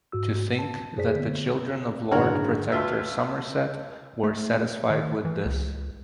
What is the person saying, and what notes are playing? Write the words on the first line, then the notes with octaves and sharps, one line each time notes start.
To think that the children of Lord Protector Somerset were satisfied with this!
G#2 F#4 E6
A5
F#2 G#4 C5 D5 B6
D3 B3
F#1 G#2 D3 F#4 A#4 C#5
D2 F4 B4 E5
A3
D#3
E3
C#2